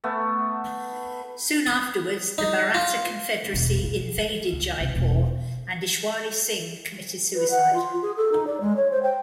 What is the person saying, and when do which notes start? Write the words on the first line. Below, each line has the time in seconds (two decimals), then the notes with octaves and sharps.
Soon afterwards the Maratha Confederacy invaded Jaipur and Ishwari Singh committed suicide.
0.04 A3 B3
1.67 D#6
2.38 D#4
2.74 F4
3.54 E1
3.77 A1
3.95 F3
4.18 D#4
4.53 C#2
4.81 C2
4.96 E1
7.35 B4
7.51 F#5
7.73 F4
8.02 G#4
8.17 A4
8.32 D#4
8.47 D5
8.61 G#3
8.76 C#5
8.91 C5
9.03 G5